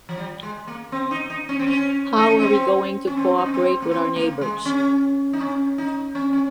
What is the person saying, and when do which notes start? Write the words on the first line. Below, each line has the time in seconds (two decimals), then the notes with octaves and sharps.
How are we going to co-operate with our neighbours?
0.09 F3
0.18 G3
0.43 G#3
0.67 A#3
0.92 C4
1.11 D#4
1.30 D#4
1.49 C#4
1.59 C4
1.67 C#4
2.17 D#4
2.30 C#4
2.42 C4
3.07 C#4
3.17 C4
3.38 D#4
3.46 C#4
3.54 C4
3.82 A#3
3.91 C4
4.16 A#3
4.41 G#3
4.65 C#4
5.33 D#4
5.40 C#4
5.78 D#4
6.15 C#4
6.33 C#4